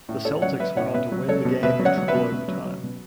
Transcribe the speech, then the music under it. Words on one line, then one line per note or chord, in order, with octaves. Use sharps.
The Celtics went on to win the game in triple overtime.
A2
A2 A4 C#5
F#3 C#5 F#5
F#3 B4 E5
A2 C#5 F#5
B2 B4 E5
F#3
F#3 A4 C#5
B2
B2 B4 E5
F#3
C#5 F#5
F#3
B4 E5
B2
B2
F#3
F#3
B2